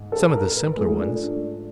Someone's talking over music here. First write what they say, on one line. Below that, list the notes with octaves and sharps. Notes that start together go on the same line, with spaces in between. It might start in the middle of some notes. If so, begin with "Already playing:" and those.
"Some of the simpler ones."
Already playing: G#2
A4
A#4
B4
G#2 F3 A3 G#4
D4